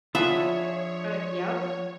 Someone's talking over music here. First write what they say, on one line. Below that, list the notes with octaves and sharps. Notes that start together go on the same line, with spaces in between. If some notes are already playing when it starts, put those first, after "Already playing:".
Uh, yep.
F3 D4 F4 G#4 C#5 E5 F#5 B5